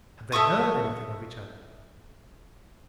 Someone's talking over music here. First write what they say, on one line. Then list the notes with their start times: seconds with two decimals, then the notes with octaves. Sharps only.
Had they heard anything of each other?
0.32 A4 E5 C#6 D#6